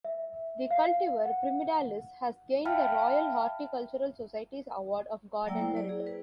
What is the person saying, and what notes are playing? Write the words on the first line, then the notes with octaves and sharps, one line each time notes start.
The cultivar 'Pyramidalis' has gained the Royal Horticultural Society's Award of Garden Merit.
E5
F5
F#5
E5 F5 G5 A5 B5 F6
F#3 A#3 D5 G5 E6
E4 C5
D5
G#4
B4